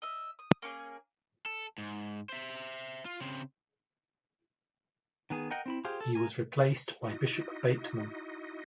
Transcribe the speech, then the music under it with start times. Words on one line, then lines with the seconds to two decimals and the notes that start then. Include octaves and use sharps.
He was replaced by Bishop Batemen.
0.02 D#5 E5
0.39 D#6
0.62 A#3 C#4 G4 G#4
1.46 A4
1.78 G#2
2.29 C5 E5
3.05 F4
3.21 C#3 C4
5.30 D#3 B3 G#4
5.50 A#4 D#5 F#5 G5 A#5
5.66 C4 E4 B5
5.84 F4 G4 G#4 C5 F5
6.01 A4
6.15 A#4 G#5
7.04 D#4 E4 F#4 D#5